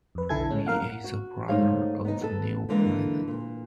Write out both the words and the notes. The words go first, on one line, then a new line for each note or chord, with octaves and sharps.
He is the brother of Neal Brennan.
F2 B4
B1 D3 E4 A4 G#5 G#6
A2 G#3 C#4
A#4 F5 F#5
F#4
G#2 A3 D#4 C5 C#5 F5
B3 D#4
B3 A4
D3 E3 G#3 A#3
A#2